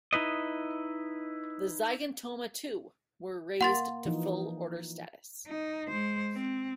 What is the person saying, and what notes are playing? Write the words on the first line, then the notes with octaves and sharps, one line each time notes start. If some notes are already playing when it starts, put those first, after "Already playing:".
The Zygentoma too, were raised to full order status.
D#4 E4 B4 D#5
A#3 F#5 C6 A6
E3 F3 D#4
D#4
G#3 C5
C4